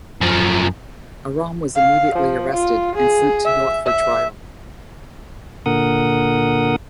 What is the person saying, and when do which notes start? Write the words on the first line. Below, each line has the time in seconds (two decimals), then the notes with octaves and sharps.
Aram was immediately arrested, and sent to York for trial.
0.21 F#2 F3
1.76 F5
2.16 F3
2.52 F4
2.95 G#4
3.45 E5
3.86 E5
5.66 A#2 D3 A#4 F#5 D#6